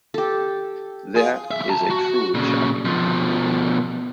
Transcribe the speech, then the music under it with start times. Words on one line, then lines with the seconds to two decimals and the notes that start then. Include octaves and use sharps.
That is a truly shocking account.
0.14 G4 A4
1.15 F4 G#4
1.51 B1 E5
1.69 A5 A#5
1.90 F#4
2.34 A#2 C#3
2.85 B2 F3